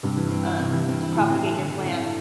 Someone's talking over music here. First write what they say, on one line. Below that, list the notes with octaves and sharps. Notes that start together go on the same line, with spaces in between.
um, to propagate your plant."
G2 C3
E3
C4
E4
C3
E3
C4
E4
A2 D3
C4
A4
D3
D3
C4
A4